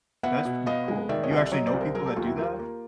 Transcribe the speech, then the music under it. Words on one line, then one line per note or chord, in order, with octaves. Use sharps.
That's pretty cool. You actually know people that do that?
B3 E5 F#5
B2
B3 D#5 F5
G#3
D#3 D5 E5
C#5 D#5
C2
D5 E5
F#3 C#5 D#5
C5 D5
C2
A#4 C5
F#3 G#4 A#4
G4 A4
D#2 F4 G4
E4 F#4
A#3 F4 G4
A#3